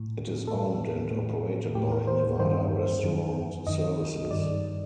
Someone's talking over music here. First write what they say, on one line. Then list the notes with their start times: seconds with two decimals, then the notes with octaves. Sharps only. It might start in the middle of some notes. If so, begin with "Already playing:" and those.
It is owned and operated by Nevada Restaurant Services.
Already playing: A2
0.47 A2 A4
1.11 A2
1.75 A2 G4
1.92 A#4
2.07 C5
2.40 G2 D#3 C5
3.04 F#2 D#3
3.67 F#2 D#3 D#5
4.31 G2 D#3 D5